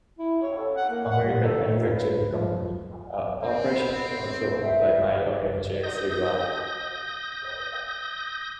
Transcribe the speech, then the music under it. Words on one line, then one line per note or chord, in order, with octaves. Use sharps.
American Manufacturing Company, a operation also owned by Milo and Jacques Revah.
E4
C#5
A4
F#5
A#3
F#5
G3
A4
A3
F4
B4
F3
B3 C4
E5
D#6 G6 A#6